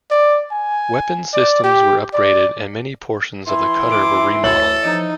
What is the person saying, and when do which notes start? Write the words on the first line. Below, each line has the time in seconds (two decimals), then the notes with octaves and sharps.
Weapons systems were upgraded and many portions of the cutter were remodeled.
0.11 D5
0.52 G#5
1.33 D5
1.64 G4
2.14 D5
3.47 E3 C6
3.91 D6
4.44 D2 A4 C#5 E6 F#7
4.83 E3 F3 D#4